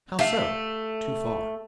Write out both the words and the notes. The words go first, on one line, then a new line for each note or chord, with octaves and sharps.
"How so--too far?"
A3 G4 E5 F5